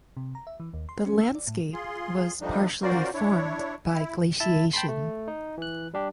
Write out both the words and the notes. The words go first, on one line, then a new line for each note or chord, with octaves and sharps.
The landscape was partially formed by glaciation.
C3
A#5
E5
E3
D#2
C6
C#4
E6
D5
A2
F4 G#4 C6
F3 G3 A3 D4 D#4
C#4 F4 F#4 A#4 C5 D5
D4 E4 C#5
E4
E4 E5 A5
G5 A5 B5 C6
A3
D#4
E3 F#6
G3 D4 G4